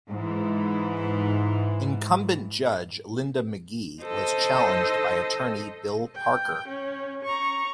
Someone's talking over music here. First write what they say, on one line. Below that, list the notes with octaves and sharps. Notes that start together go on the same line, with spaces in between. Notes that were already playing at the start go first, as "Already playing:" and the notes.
Incumbent Judge Linda McGee was challenged by attorney Bill Parker.
G#2 E3
A4 C5 D#5
G5
C#4
A#5 C#6